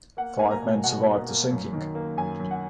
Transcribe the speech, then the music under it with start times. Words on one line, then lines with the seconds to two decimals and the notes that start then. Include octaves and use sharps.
Five men survived the sinking.
0.17 A#3 F#5
0.39 A#3 G#5
0.51 A#5
0.62 B2
0.84 B2 F#5
1.06 A#3
1.28 A#3
1.51 F#2
1.73 D#3
1.95 A#3
2.18 F#2 G#5
2.40 F#2
2.51 F#5